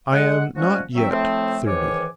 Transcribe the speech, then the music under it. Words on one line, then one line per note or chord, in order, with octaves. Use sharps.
'I am not yet thirty.'
G#3 F#5
F3 G3 G#3 C#4 F#4
F#3 C4 E5
A2 F3 A3 C4
G#2 D#3 E3 C#5 G#5 D6